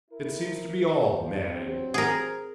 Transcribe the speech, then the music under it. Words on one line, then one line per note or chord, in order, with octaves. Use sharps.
"It seems to be all Manning!"
E4 A#4
F3
G2 F#3 C4
G#4 A#4